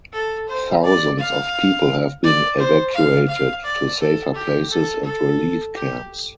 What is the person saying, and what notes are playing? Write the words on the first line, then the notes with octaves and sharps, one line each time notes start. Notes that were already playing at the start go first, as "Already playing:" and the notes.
Thousands of people have been evacuated to safer places and relief camps.
A4
C5
D5
F5
D5
C5
F5
F5
D5
A4
G4
A4
A4
G4